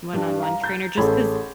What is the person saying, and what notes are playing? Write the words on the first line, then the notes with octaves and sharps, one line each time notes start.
one-on-one trainer, just 'cause
G2 G3 D4
F5 A#5
A#5 G6 A6
A1 G#4 A4 C#5 B5 G#6